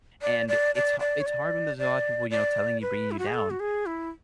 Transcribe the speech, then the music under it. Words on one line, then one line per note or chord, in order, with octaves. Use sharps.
And it's ha it's hard when there's a lotta people, you know, telling you, bringing you down,
D5
D5
D5
D5
C#5
D5
D5
D5
B4
E4
F#4
G#4
A4
F#4
G#4
E4